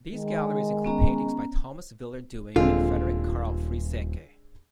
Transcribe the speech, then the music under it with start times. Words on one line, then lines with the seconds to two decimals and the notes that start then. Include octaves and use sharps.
These galleries include paintings by Thomas Wilmer Dewing and Frederick Carl Frieseke.
0.12 D#3 G#3
0.85 B3 C#4 A#5
2.56 D#1 D3 G#3 C4 F4